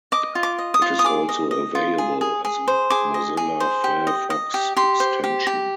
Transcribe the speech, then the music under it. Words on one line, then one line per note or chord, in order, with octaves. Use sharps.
It is also available as a Mozilla Firefox extension.
D#5 D6
F4
D6
D#5
D#6
F4
D#6
G#4 D6
D#5
D#5
F4
G#4
G#4
G#4
C5
G#4 D6
D#5
G#4
C5
G4
D#5
D#5
G4
G4 C6
C5
G4
G4